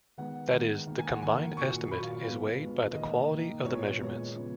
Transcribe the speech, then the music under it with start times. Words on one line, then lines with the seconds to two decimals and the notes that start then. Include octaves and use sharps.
That is, the combined estimate is weighted by the quality of the measurements.
0.17 D#3 G#3 B3 F#5
0.52 D#3 G#3 B3
0.87 D#3 A#3
0.99 G#5
1.10 F#5
1.22 D#3 A#3 G#5
1.57 A#2 F#3 A#3 C#6
1.91 A#2 F#3 A#3 B5
2.03 F5
2.14 F5
2.26 A#2 G#3 B3
2.60 A#2 G#3 B3
2.95 D#3 A#3 D#5
3.30 D#3 A#3
3.65 A#2 G#3 B3 C#5
3.99 A#2 G#3 B3 C#5
4.34 C#3 F3 B3